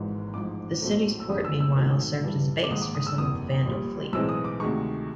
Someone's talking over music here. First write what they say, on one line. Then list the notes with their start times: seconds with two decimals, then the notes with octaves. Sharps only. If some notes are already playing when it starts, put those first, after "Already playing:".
The city's port meanwhile served as a base for some of the Vandal fleet.
Already playing: G#1 G#2 E3
0.34 A1 G#2 F3 D6
0.81 A#1 A2 F#3 A3 C4
1.20 E6
1.28 F#1 F2 D3 F3 G#3 D#6
1.45 E6
1.60 E6
1.76 G#2 D#3 F#3 A3 C4
2.23 G2 E3 G3
2.64 D6
2.70 A#1 G#2 D#3 D#6
2.82 D6
2.95 D#6
3.07 E6
3.18 F#1 E2 C3 D#6
3.65 A#1 A#2 G3
4.13 B1 A2 E3 G#3 C4 E6
4.29 D#6
4.45 D6
4.60 D2 C3 D#3 G#3 C#6